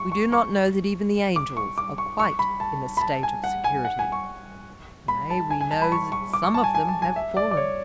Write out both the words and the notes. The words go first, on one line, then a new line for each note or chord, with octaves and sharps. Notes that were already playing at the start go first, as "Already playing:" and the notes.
We do not know that even the angels are quite in a state of security; nay we know that some of them have fallen.
Already playing: C#6
C#6
C#6
D6
C#6
D6
C#6
C#6
B5
A5
B5
A5
G#5
F#5
G#5
F#5
G#5
C#6
B5
A5
G#5
G#5
A5
B5
C#6
C#6
D6
C#6
A5
G#5
G#5
A5
G#5
E5
D5
D5
C#5